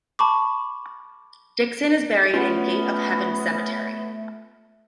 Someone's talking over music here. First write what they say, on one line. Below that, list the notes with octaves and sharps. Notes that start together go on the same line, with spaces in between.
Dixon is buried in Gate of Heaven Cemetery.
A5 B5 C#6 D6
A3 B3 C#4 F4 F#5